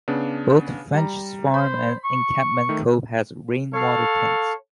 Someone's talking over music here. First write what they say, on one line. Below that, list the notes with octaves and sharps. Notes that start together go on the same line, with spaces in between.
Both Frenchs Farm and Encampment Cove have rainwater tanks.
C#3 B3 D4
G3 A#5
C5 B5
C#6
D#3 A3
A4 C#5 F5